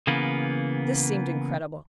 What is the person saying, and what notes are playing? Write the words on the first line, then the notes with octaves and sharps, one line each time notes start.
This seemed incredible.
C#3 E3 A#3 B3